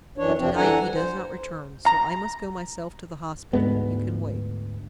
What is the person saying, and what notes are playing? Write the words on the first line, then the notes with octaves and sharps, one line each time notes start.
"To-night he does not return, so I must go myself to the hospital--you can wait."
F#2 E3 D4 C#5
F2 C3 F3 C4 D4
E3 D4 A4 F#5 G#5 A#5
G3
C5
A#5
D2 G#2 G#3 B3